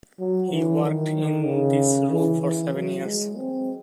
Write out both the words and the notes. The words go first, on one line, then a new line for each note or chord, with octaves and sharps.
He worked in this role for seven years.
F#3
E3
D#3
C#3
E3
E3
F#3
G#3
C4